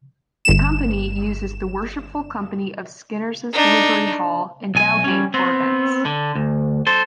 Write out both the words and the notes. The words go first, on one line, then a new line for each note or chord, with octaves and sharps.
The Company uses the Worshipful Company of Skinners' livery hall in Dowgate for events.
G1 E7
D4 D#4
B1 G#5
G3 C#4
B3 C4
D3
D2
A4 C5